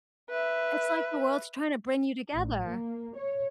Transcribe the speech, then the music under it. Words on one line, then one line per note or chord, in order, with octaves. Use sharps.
it's like the world's tryna bring you together.
B4 E5
A1
A#3
C#5